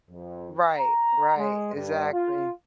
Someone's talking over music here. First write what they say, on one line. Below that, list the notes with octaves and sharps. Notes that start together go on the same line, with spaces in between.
Right, right, exactly.
F2
A#5
G#3
G2
F4